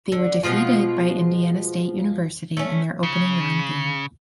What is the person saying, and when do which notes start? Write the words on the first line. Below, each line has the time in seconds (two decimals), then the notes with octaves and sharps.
They were defeated by Indiana State University in their opening round game.
0.12 D3
0.43 B2 F3 G#3 F4
2.57 A3 C#4
3.03 C#3